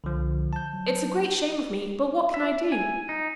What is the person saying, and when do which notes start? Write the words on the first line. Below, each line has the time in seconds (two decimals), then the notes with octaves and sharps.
It's a great shame of me; but what can I do?
0.04 C2 D3 F3
0.53 A5 G6
0.73 F#3
2.34 E5
2.72 G#5
3.09 D#4